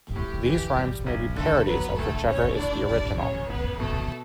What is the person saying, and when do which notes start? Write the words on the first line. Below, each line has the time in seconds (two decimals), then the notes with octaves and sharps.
These rhymes may be parodies of whichever is the original.
0.15 A2 G4
0.46 E3 G4
0.76 G3
1.06 B1
1.36 D3 A3 A4
1.68 F#3 B3 B4
1.98 D2 A3 A4
2.28 D2 C#4 C#5
2.58 A2 D4 D5
2.89 G3 D4 D5
3.19 A1 C#4 C#5
3.49 A1 B3 B4
3.80 B2 A3 A4